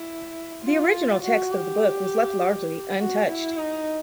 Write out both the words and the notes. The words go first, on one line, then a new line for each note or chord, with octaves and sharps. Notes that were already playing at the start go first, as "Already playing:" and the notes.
The original text of the book was left largely untouched.
Already playing: E4
F4
F#4
G4
F#4
E4
D#4